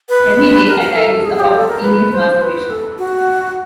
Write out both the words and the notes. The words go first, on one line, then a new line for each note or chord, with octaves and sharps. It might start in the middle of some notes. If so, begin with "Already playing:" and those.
"Every Day I Die" was about teenage masturbation.
B4
A#4
A#4
A4
G#4
G4
A4
A#4
B4
C5
B4
A4
F#4